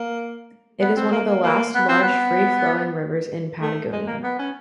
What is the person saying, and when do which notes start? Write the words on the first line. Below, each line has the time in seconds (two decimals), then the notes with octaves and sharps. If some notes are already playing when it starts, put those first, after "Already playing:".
It is one of the last large free-flowing rivers in Patagonia.
Already playing: A#3
0.81 B3
0.96 C4
1.12 A#3
1.28 A#3
1.43 A#3
1.75 B3
1.89 C4
2.02 B3
3.61 A3
3.92 G#3
4.07 A#3
4.23 B3
4.39 C#4